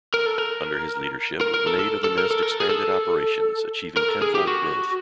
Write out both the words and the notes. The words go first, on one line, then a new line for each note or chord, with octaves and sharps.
Under his leadership, Maid of the Mist expanded operations, achieving ten-fold growth.
A#4
A4
A#4
A#4
A#4
A4
A4
A4
A#4
A4
A#4
A4
G#4
A4
A#4
A4
G#4
G4
F#4